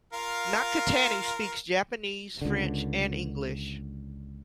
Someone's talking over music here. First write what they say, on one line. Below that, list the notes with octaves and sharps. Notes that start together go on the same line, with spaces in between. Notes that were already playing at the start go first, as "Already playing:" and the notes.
Nakatani speaks Japanese, French, and English.
F4 A#4 F5
C#2 D3